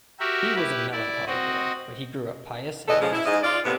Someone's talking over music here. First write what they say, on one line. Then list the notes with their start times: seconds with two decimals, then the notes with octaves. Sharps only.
He was a melancholy boy, but he grew up pious and honest.
0.20 F#4 G4 A#4 E5
0.55 E4 G4 B4
0.91 E4 D5
1.27 C4 F#4 D#5
2.88 E2 E3 A4 D#5
3.00 C#3 F3 G#3
3.12 E4
3.26 G#2 D#5
3.43 F4 D5
3.65 A2 C3 B3